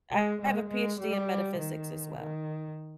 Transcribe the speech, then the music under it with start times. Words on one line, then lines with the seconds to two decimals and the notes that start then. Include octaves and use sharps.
I have a PhD in metaphysics, as well.
0.12 G#3
0.41 G#3
0.70 G#3
1.00 G3
1.58 D#3
2.17 D#3